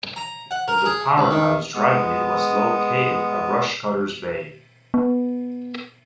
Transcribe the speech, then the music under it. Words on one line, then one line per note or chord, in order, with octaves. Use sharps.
The powerhouse driving it was located at Rushcutters Bay.
A#5
F#5
A#4
G#4
C#2
D#3
G#3 B3
B3